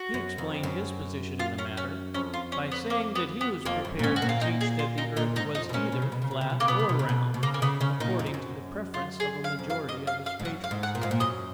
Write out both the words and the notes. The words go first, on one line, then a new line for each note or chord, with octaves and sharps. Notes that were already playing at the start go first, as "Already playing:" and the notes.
He explained his position in the matter by saying that he was prepared to teach that the earth was either flat or round, according to the preference of a majority of his patrons.
Already playing: F#4
F#2
F2
F#2
F4
C#4
C#4
F2 C#4
F4
C#4
B3
A#3
B3
B3
F2 A#3
F#2
A#2
G#2 C#4
F#4
A#2
F4
D#4
G#4
F4
D#4
A#2 D#4
G#2 D#4
F2 D#4
B2
A#2 C#4
B2
C#3
B2
C#3
B2
C#3
B2
C#3 A#3
B2 B3
C#3
B2
C#3
B2
B2
C#3 A#3
A#3
C#3 B3
C#3 C#4
A#2 D#4
F#2
F2
F#2
F4
G#4
F5
F2
F#2 F5
D#5
F5
F5
G#2
F#2 F#5
F5
G#2
F#5
A#2
G#2 F5
A#2
F#2 D#5